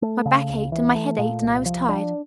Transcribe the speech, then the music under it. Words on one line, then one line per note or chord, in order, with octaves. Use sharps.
My back ached and my head ached and I was tired.
A3
C#3
C#2
E3
A3
A#2
C2
F3
D4